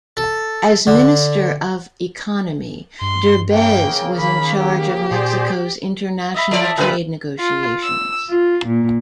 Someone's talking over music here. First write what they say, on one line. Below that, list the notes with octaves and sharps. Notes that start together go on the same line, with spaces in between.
As Minister of Economy, Derbez was in charge of Mexico's international trade negotiations.
A4
D3
G2 C6
C#3 A#3 G5
D#3 B5
G4
A#2 G#4 C5 D5
D#5 E5 B5
E3 A3 D5
A#2 C#3 G3 B4
F4
E6
F4
A#2